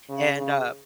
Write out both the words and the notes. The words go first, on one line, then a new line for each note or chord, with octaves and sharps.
and uh,
C#3
C#3